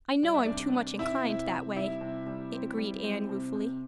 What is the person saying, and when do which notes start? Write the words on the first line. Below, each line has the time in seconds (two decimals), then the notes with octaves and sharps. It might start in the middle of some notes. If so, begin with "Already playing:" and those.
"I know I'm too much inclined that, way" agreed Anne ruefully.
0.23 G3 D5
0.34 E5
0.44 C3 D4 D5
0.74 C3
0.99 C4 E4 E5
1.25 C3
1.51 C3
1.76 G3 E4 E5
2.01 C3
2.26 G3
2.53 C4
2.77 G3
3.04 C4
3.29 C3
3.55 C3